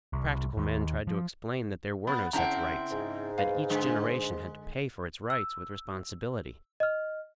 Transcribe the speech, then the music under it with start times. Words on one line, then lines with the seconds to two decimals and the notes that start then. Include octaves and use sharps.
Practical men tried to explain that there were no such rights--that each generation had to pay for its rights with responsibility.
0.13 C2
0.57 D#2
1.07 F3
2.07 B3 B5
2.33 C#3 C4 E4 F#5 A5 A#5
2.91 G#2
3.38 B4 F5
3.70 D3 G#3
5.30 E6
6.80 D#5 F6